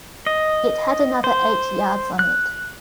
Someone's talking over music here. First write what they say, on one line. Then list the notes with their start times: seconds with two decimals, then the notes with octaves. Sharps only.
It had another eight yards on it.
0.26 D#5
1.24 C5
2.19 F#6